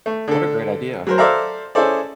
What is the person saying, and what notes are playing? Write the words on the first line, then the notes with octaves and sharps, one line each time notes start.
What a great idea.
A3
D3 A4
F#3 A#4 C5
A4 C5 D5 E5 F5 A#5
C#4 E4 G#4 A4 C5 D5